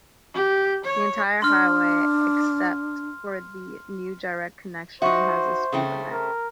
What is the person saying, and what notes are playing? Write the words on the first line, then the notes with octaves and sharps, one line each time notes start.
The entire highway, except for the new direct connection, has a speed limit.
G4
C#5
D4 C6 F6
D#4 F#4 C5 E5 C#6
C#3 A3 C4
A#4